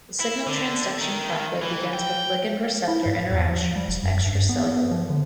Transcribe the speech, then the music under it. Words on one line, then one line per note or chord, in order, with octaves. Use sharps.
The signal transduction pathway begins with ligand-receptor interactions extracellularly.
E4
D3
D#3
E3
G5
E4
G#2
E2
F3
G3
F1
F#2
G2
B3
B3
F3
D3